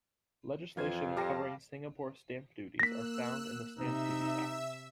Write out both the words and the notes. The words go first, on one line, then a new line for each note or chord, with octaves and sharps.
Legislation covering Singapore Stamp Duties are found in the Stamp Duties Act.
F2 E3 F4 G#6
G3 G4 F5 A5 A#6
A#3 E6 F#6 A#6 B6
C3 D#4 E5 E6